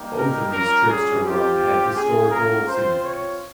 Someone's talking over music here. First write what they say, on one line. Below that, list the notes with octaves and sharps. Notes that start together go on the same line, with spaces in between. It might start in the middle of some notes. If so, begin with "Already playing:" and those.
Both of these trips to Rome have historical significance.
Already playing: G3 A#3 D#4 G4
A#4
G3 C#4 F4 A#4
G#4
C4 F4 G4
A#3 C#4 F4 G#4
A#4
C4 F4 C5
C#5